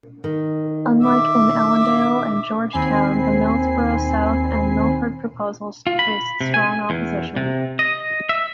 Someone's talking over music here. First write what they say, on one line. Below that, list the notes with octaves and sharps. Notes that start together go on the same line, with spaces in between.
Unlike in Ellendale and Georgetown, the Millsboro-South and Milford proposals faced strong opposition.
D#3
E5 D6
D#2 C4 G#5 B5 C7
F4
B5
C3
G#5
E2
C3
D#5
E5